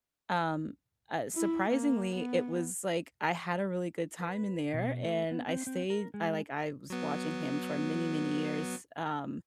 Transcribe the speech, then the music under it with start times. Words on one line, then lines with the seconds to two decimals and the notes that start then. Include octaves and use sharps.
um, uh, surprisingly, it was, like, I had a really good time in there, and I stayed I, like I was watching him for many, many years. Um,
1.35 E4
1.70 A#3
2.15 B3
4.21 B4
4.74 B2
5.03 A3
5.31 B3
5.48 C4
5.67 C4
5.90 A#4
6.14 G#3
6.90 F#3 B3